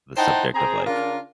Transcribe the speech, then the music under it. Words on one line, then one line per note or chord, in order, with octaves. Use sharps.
the subject of, like,
D#4 E4 C5 F#5 G5 A5
C4 G#4 A#5
C#3 D4 F4 A#4